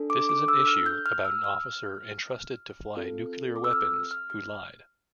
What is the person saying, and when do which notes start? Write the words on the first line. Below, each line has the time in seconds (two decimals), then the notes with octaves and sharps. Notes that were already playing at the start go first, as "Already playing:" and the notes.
This is an issue about an officer, entrusted to fly nuclear weapons, who lied.
Already playing: D4 A4
0.10 D6
0.29 D6
0.48 E6
0.67 F6
0.86 G6
1.06 F6
1.25 E6
1.44 F6
2.97 C4 F4 A4
3.56 D6
3.64 E6
3.73 F6
4.11 F6
4.30 F6